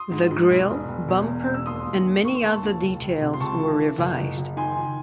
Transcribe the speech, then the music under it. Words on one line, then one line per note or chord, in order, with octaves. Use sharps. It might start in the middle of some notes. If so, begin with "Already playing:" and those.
The grill, bumper and many other details were revised.
Already playing: C6 D#6
G#2
G#2
E1
E1
E1
E2
E1
E1
E6
D#2 C6 D#6
D#2
D#2
D#2 C#6
C6
D#2 A5 C#6
D#2
C#2
C#2
C3
C6
C#2 A5 C#6
E3
E3
F#1
F#1
F#1
D#3 G#5 C6
D#3